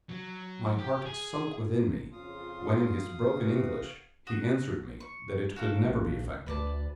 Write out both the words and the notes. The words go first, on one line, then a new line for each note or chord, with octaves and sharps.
My heart sunk within me, when in his broken English he answered me that it could never be effected.
F#3
G4
G#4
F2 C#3 F4 F5 C6 D#6
C3 D4 F#4 B4
F#4 D#6
C#6
F#4 A4 F5
A#1
D2 B4 D5 A5